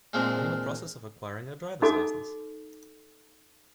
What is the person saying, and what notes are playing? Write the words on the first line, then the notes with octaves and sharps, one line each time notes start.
I'm in the process of acquiring a drivers license.
A#2 G#3 A#3 C4 D4
D#4 F#4 A4 D6